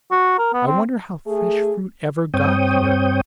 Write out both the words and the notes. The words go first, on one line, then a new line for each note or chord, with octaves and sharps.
I wonder how fresh fruit ever got here.
F#4
A#4
B3
C4
A3 G#4
G2 C4 C#5 G5 D#6